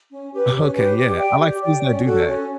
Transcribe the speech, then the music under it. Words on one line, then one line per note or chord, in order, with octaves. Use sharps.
Okay. Yeah. I like foods that do that.
C#4
G4 B4
C#4
G4 B4
G4
D5 G5
G4
D5 G5
C#4
F#4 A4
C#4